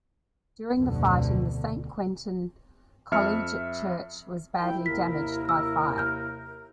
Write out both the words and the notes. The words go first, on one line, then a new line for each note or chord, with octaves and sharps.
During the fighting the Saint-Quentin collegiate church was badly damaged by fire.
F1 D2 B2 D3
F2 E5 F6 C#7
C2 E4 G5
D#2 C3 A#4 B6
E6 F6
F6 G6